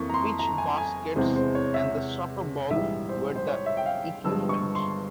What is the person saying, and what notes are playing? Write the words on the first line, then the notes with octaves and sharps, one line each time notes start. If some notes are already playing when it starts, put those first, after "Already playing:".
Peach baskets and the soccer ball were the equipment.
Already playing: F2 E3 A#3 C#6
A#5
C6
A#5
G#5
G#5
E2 C3 E3 G#3 C5
C5
C#5
E5
A#1 G#2 E3 G3 E5
C5
C5
C#5
E5
G5
F5
G1 G2 F3 G#3 E6
C#6
C6